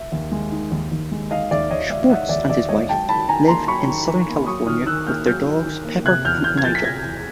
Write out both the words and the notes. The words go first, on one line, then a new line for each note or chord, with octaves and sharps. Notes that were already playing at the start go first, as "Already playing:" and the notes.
Schwartz and his wife live in Southern California with their dogs Pepper and Nigel.
Already playing: E5
D#2
G#3
D#3
D#2
D#2
G#3
D#3 D#5 F5
D#2 D5 E5
D#2 C#5 D#5
G#3 D5 E5
D#3 E5 F#5
D#2 D5 E5
D#2 D5 E5
G#3 C#5 D#5
F#3 G5 A5
D#3 A5 B5
D#3 G#5 A#5
A#3 A#5 C6
F#3 B5 C#6
D#3
D#3
A#3
F#3 C#6 D#6
D#3 D#6 F6
D#3 E6 F#6
A#3 F6 G6
F#3 F6 G6
D#3
D#3
A#3
C3 F#6 G#6
E2 F6 G6
E2 F6 G6
G#6
F3 G6 A6
B6
C3 G#6 A#6
E2